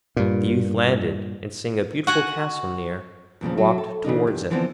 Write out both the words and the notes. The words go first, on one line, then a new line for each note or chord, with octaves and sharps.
The youth landed, and seeing a beautiful castle near, walked towards it.
G2 A#2
F#4 F#5 G#5
E2 A#2 C#3 F3
F#3
A4
C#3 E3 D4 D#4
E2 G4
D3 E3 F3 B3 C4 D4